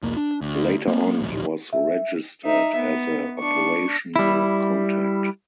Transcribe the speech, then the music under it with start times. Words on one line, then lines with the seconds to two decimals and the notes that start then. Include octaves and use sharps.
Later on he was registered as a operational contact.
0.03 B1 E2 A#3
0.17 D4
0.41 D2
0.88 A#3 C4
1.20 D1 A#1
1.73 E5
2.45 D#4 E5
2.76 B3
3.40 D4 C#6
4.16 G3 E4